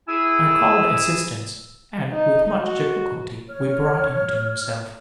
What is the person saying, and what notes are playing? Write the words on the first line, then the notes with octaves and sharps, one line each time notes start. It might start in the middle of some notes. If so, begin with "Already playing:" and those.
I called assistance, and, with much difficulty, we brought him to himself.
E4 G#4 G#5 E6
D#4
F#4
C#5 F6